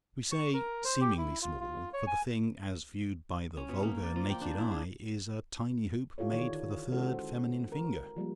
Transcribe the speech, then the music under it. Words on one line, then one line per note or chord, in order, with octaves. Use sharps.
We say, seemingly small; for the thing, as viewed by the vulgar, naked eye, is a tiny hoop made for the third feminine finger.
C#6
A#4
C5
G4
E4
F4
F4
C#5
G#5
C#4
B2
A#3
D5
F3
G5
D4
E4
G#4
D4 E4 F4 G4 A4 C#5
D3 D#3 C#5 D5
G#3 C#4 E4 F#4 A4
C5
A#4
F3 G3 G#3 A#3